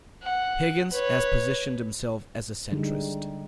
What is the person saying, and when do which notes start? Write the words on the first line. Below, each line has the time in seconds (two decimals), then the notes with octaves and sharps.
Higgins has positioned himself as a centrist.
0.22 F#5
0.91 B4 C#5
2.71 D3 G3 G#3 D#4